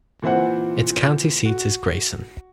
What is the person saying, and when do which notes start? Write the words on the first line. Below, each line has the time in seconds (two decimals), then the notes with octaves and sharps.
Its county seat is Grayson.
0.22 A#2 E3 C4 C5 F#5
1.45 F#4